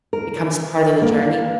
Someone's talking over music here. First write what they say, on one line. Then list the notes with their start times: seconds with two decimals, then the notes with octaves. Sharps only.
becomes part of the journey?
0.13 A#4
1.02 A#3